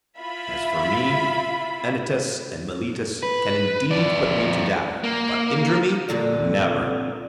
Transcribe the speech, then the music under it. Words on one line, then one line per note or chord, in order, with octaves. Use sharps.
As for me, Anytus and Meletus can indeed put me to death, but injure me, never!
E4 F4 E5 B5
B4
F2 D5
A#3
F2 A#2 D3